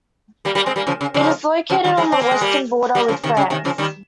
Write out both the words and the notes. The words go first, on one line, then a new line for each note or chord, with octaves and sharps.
It is located on the western border with France.
G3 A#3
G3 A#3
G#3 C4
G3 A#3
C#3 F3
C#3
C#3 F3
C#3 F3
D#3 G3
F3 G#3
C4
A#3
G#3
G3 A#3
G3 A#3
C#3 F3
C3 D#3
C#3
C3 D#3
C#3 F3
D#3 G3